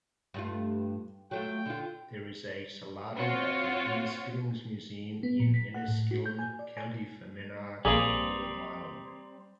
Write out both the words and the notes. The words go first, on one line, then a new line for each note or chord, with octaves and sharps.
There is a Saladin at the Inniskillings Museum in Enniskillen, County Fermanagh, Northern Ireland.
G2 A3 F4
F#3 A3 F4 G5
D3 F4
C4 F4 F#4 C#5
B3
A#2
B6
F#5
A2
F#4
G6
G#5
D5
G#5
A#1 G3 A#3 C4 G#4 A#5 D6 D#6